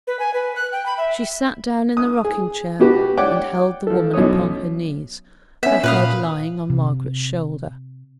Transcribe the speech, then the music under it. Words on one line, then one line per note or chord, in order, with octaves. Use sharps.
She sate down in the rocking chair, and held the woman upon her knees, her head lying on Margaret's shoulder.
B4
G#5
B4
F#6
G5
B5
E5
D#6
G#4
B2 B3 F#4 G4 B4
C#5 D5 F#5 G5 D6
F3 A4
B1 B2 C#4 C#5 D#6
B3 C#4 E5
A#2 B4 F5 D#6
C3